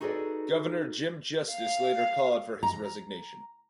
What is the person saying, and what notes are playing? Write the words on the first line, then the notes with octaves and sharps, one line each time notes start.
Governor Jim Justice later called for his resignation.
D#4 F#4 G#4 A4 B4 D5
F5
A#5